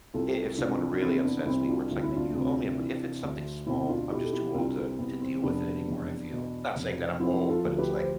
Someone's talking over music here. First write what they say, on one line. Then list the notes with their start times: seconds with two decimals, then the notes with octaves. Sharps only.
i if someone really upsets me where it's like, man, you owe me a if it's something small, I'm just too old to to deal with it anymore, I feel. Not saying that I'm old, but it's like
0.14 C2 F4 A4
0.58 C3 D4 F4
0.91 D4
1.01 E3 C4 E4
1.23 B3 D4
1.46 C2 C4 E4
1.68 D4 F4
1.91 D2 F4
2.03 E4
2.16 D4 F4
2.35 C3
2.79 E3
3.23 D2
3.66 B2 C4 E4
3.89 D4 F4
4.11 B2 E4 G4
4.24 A4
4.32 E4 G4
4.55 C2 D4 F4
4.77 C4
4.99 C2 B3
5.21 C4
5.43 F1 B3 D4
5.88 E2
6.32 B2
6.75 F1
7.20 F3 C4 E4
7.49 F4 A4
7.65 D2
7.78 G4 B4
7.97 C5